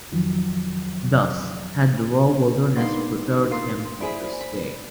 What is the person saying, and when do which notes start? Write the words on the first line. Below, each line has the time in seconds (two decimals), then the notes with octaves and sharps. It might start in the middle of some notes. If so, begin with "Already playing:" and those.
Thus had the raw wilderness prepared him for this day.
0.12 F2 D#3 F3 F#3
2.76 G#3 A#3 B3 D4 D#4 C5 D5 C6
3.51 A#3 F4 C6
4.00 E4 G#4 C5 D5 B5
4.41 B5